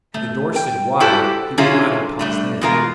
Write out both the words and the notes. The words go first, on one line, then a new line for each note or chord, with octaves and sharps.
Had the door stood wide he would not have paused then.
A3
G5
E4 F#4 G4 A4 C5 D5
D3 F#3 C#4 E4 F4 G#4
G3 A3 D4
B2 E3 G#3 F4 A#4 F5